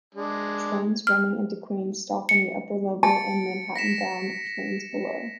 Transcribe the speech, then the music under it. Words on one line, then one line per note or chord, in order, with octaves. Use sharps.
Trains running into Queens stop on the upper level and Manhattan-bound trains below.
G#3 D4
F6
C#7
A5 A6 C#7 D7
A#6 B6 E7